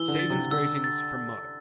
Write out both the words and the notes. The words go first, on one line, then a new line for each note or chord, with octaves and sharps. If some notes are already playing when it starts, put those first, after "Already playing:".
Season's Greetings from moe.
Already playing: E3 E6 G7
D3
A6
C3
D3 E6
A6